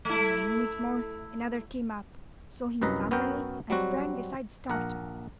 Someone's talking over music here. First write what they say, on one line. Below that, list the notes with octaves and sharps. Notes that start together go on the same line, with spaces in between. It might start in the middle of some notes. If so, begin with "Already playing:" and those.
But in a minute more, another came up, saw him suddenly, and sprang aside startled.
A3 E4
C2 F#2 B4 D#5 A#5
F#2 B3 F#4 A#4 G5
F#3 G3 C4 F#4
A#1 A#4 F#5